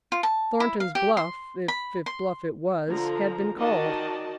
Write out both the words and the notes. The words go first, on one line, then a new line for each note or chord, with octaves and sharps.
Thornton's bluff, if bluff it was, had been called.
F4
A5
E4
F5
G4
C6
B5
C6
D3 F3 A#5
D#3 F#4 D5 D#5 A5